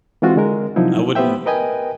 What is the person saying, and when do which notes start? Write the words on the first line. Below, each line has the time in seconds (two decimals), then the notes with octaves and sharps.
I wouldn't
0.22 E3 G#3 C4 F4 F#4
0.36 D3 G#3 A#4
0.76 C3 F3 F#3 D#4 E4
1.15 B3 G4 B4 C5 E5 G5
1.46 A#4 B4 D#5 G5 G#5